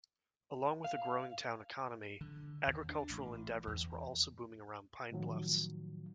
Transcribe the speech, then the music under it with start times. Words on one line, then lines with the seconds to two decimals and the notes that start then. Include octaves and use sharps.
Along with a growing town economy, agricultural endeavors were also booming around Pine Bluffs.
0.84 F5
2.21 D3
2.67 D#2
2.89 D4
3.10 A1
3.67 E2
5.12 A2 D#3 F3 F#3